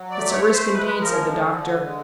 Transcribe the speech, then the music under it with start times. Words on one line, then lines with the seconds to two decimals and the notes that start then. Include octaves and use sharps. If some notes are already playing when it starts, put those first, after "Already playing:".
"It's a risk indeed," said the doctor.
Already playing: F#3
0.11 D5
0.17 A3
0.32 C#5
0.46 A3
0.52 C5
0.73 G#3 B4
1.01 F3 A#4
1.29 D3
1.56 D3
1.85 G#3